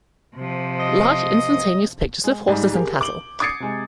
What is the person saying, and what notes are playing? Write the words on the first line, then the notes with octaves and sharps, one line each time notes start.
Large instantaneous pictures of horses and cattle’.
C3 F3
D#5
G#3
G#2 G3 G#3
G4 G#4 A#4
D6 F#7 G7
D6 D#6 G#6 A6 C7 C#7
C3 G#3